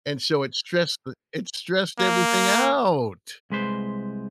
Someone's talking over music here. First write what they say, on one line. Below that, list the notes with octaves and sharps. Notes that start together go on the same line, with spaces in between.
and so it stressed the it stressed everything out.
A#3
C2 G#3 B4 C5